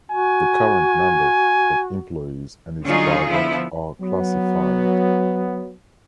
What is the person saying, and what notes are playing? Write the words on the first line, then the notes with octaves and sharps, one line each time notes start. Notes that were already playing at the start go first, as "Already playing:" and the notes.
The current number of employees and its budget are classified.
F#4 G#5
D3 F#3 C#4 D#4 F4 G#4
D3 F3 B3 E4
F#3 B3